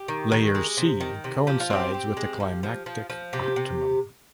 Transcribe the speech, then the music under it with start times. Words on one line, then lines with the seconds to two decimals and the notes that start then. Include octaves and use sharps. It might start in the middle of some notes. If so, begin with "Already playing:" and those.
Layer C coincides with the climatic optimum.
Already playing: G4
0.08 D#3
0.32 D#3
0.55 G#3
0.77 C3
1.00 D#3
1.24 C3
1.47 F3 G4
1.60 F4
1.70 C4 G4
1.94 C4
2.17 G#3
2.40 F3
2.63 F3
2.86 F3
3.10 F3
3.33 C3 G4
3.56 C3